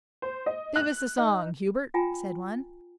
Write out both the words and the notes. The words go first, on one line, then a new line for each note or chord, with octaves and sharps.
"Give us a song, Hubert," said one.
C5
D#5
F#6
D#4
F4 G5 G#5 A#5